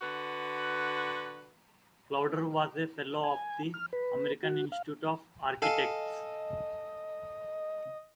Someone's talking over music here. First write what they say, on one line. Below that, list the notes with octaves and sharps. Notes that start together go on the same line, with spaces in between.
Klauder was a Fellow of the American Institute of Architects.
D3 F#4 B4
G#5
F6
B4
F#4
F5
A4 D#5 F5 G#5